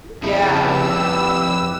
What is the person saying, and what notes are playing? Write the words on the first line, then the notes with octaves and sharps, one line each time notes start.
yeah, yeah, but
F2 C#3 E4
G4 B4 E6